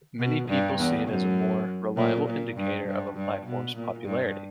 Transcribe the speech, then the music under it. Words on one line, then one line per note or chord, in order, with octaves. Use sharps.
Many people see it as a more reliable indicator of a platform's popularity.
B2
G2
E2
F#2
A#2
A#2
G2
G2
G2
B2
A#2
G2